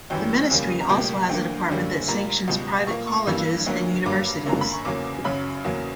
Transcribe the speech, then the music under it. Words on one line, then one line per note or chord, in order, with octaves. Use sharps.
The Ministry also has a department that sanctions private colleges and universities.
F#2 E3 G3 G5
E2 C#3 G3 A#3
A#5
C#2 B2 G3 A#3 G5
D2 D3 A#3 G5
F#2 D3 G3 A#3
A#2 G3 A#3 A#5
C#2 B2 G3
A#2 A#3 C#6
C#6
G2 E3 G3 A#3 E6
D2 D3 F#3 A#3
G2 F#3 A#3 D6
F#2 D3 A#3 A#5
B5
C#6
E2 C#3 F#3 A#3 D6
F#2 C#3 F#3 B5
E2 C#3 F#3 A#3